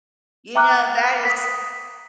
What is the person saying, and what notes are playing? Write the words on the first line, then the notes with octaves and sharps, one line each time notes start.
You know, that is
E5 G5 A#5 D6 F6 F#6
D#6 B6